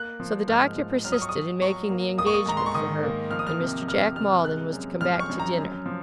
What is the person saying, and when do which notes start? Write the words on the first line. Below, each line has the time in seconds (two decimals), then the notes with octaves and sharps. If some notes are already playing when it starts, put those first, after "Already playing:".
So the Doctor persisted in making the engagement for her, and Mr. Jack Maldon was to come back to dinner.
Already playing: A#3 F#6
0.20 F3
0.48 G#2 F6
0.76 F3
1.05 F#3 F6
1.12 D#6
1.22 C#6
1.29 F#3 D#6
1.61 F#3 C#6
1.90 A#3
2.18 A#3 D#6
2.26 C#6
2.34 D#6
2.46 G#2 A#5
2.57 C6
2.66 C#6
2.74 D#3 D#6
3.03 A#3
3.31 F3 F6
3.39 D#6
3.47 F6
3.59 C3
3.88 A#3 F6
4.16 C3 F6
4.44 G#3 F#6
4.72 F#2
5.01 F3 F6
5.20 C#6
5.30 F#2
5.40 A#5
5.58 F#2
5.86 F3